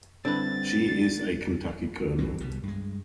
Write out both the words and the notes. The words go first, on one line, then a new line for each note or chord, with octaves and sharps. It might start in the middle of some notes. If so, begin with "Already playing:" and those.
She is a Kentucky Colonel.
D3 G3 C4 E4 B4 A6
D2 G2 E3 C4
C2 B2 G3
G2 G#3